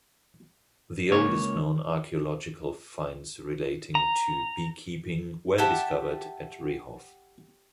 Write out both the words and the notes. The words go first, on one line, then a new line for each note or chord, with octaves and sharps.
The oldest known archaeological finds relating to beekeeping were discovered at Rehov.
C#2 A#3 C#5
A#5
G4 E5 F#5 A5